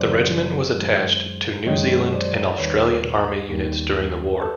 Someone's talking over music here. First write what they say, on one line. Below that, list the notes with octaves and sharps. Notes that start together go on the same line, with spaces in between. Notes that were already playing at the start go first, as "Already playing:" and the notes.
The regiment was attached to New Zealand and Australian army units during the war.
Already playing: F#1 F#2 D#3 C5 D5
F#2 D#3 G#3
F#2 D#3 G#3 C#5 D#5
C5 D5
D#2 D#3 G3 B4 C#5
D#2 D#3 G3
A4 B4